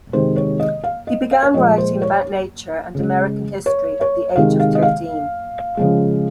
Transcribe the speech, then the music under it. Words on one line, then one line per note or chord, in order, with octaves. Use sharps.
He began writing about nature and American history at the age of thirteen.
C3 D#3 G#3 C5
C#5
D#5
F5
D#5
F5
C#5
A#2 F3 G#3 D#5
C5
C#5
C#3 G#3
C#5
C#5
C3 D#3 G#3 F5
F5
D#5
F5
C#3 F3 G#3